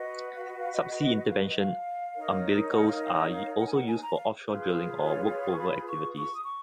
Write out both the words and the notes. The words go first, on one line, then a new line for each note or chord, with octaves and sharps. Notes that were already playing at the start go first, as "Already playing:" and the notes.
Subsea intervention umbilicals are also used for offshore drilling or workover activities.
Already playing: F#4 B4 D#5
F5
D#5
F5
D#5
D#5
D#5
D#5
F5
D#5
F5
D#4 A#4 C#5
F#5
F5
F5
D#5
F5
F#5
G#5
F#5
G#5
A#5
F5
F4 G#4 B4
C#5
C#5
C#6
B5
C#6
C#6
D#6
C#6